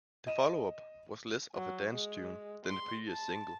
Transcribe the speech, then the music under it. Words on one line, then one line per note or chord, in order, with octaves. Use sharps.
The follow-up was less of a dance tune than the previous single.
D#5 D#7 E7
F#3
G#3
C6
A5